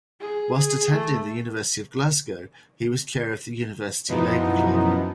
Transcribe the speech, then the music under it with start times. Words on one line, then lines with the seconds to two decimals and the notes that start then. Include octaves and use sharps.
Whilst attending the University of Glasgow he was Chair of the University Labour Club.
0.20 G#4
0.56 G#4
0.93 A3
4.08 F#2 B2 E3 F3 B3 D#4